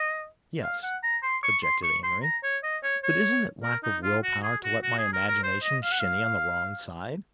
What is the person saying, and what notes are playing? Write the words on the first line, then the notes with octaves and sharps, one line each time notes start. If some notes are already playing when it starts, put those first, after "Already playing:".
"Yes," objected Amory, "but isn't it lack of will-power to let my imagination shinny on the wrong side?"
Already playing: D#5
F5
F#5
A#5
C6
C#6
C6
C#6
C6
A#5
C#5
D#5
C#5
C#5
A#4
D#4
F4
F#4
G#4
F#4
F#4
G#4
A#4
A#4
C5
D#5
F5
F#5
F5